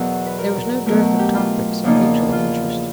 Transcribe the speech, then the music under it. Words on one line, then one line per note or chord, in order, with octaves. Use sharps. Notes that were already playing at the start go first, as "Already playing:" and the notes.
There was no dearth of topics of mutual interest.
Already playing: E2 B2 F#3 B3 A#4
B4
A#4
B2 F#3 A3 A#4
G4
F4
E2 C#3 F3 A#3 D#4
F4